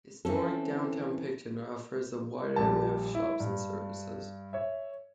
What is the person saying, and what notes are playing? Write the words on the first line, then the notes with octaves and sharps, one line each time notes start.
Historic downtown Picton offers a wide array of shops and services.
E3 C4 C#4 A4
A#1 A#2 G3 A5
E4
G2
C#5 E5